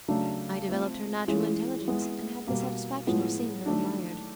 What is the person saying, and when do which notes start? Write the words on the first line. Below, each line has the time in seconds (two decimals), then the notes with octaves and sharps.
I developed her natural intelligence, and had the satisfaction of seeing her admired.
0.08 C#3 F#3 A3 D4
0.69 A3 C4 F4
1.28 E3 G#3 C#4 F4 G#4
1.87 G#3 B3 E4
2.47 B2 G3 A#3
3.07 A2 F3 G#3 B3
3.66 D#3 F#3 A3 D4